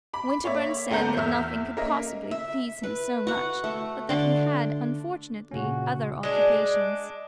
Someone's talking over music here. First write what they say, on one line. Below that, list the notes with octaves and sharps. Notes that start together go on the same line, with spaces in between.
Winterbourne said that nothing could possibly please him so much, but that he had unfortunately other occupations.
B5 D6
A#3 C#5 D5 E5
D2 A#3 B3 A4 A#5 G6
E2 E5 E6 F6
A#3 C#4 A#4 D#5 E5
E5
B4
F#4 F#5
A3
D3 D5 C6
A#2 C#3 C#4 F#4
G#3 D4